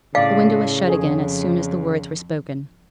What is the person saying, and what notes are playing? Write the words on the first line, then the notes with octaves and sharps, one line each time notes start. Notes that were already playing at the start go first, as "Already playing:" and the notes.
The window was shut again as soon as the words were spoken.
A2 C#3 D5 F5
F2 G#4 A4 C#5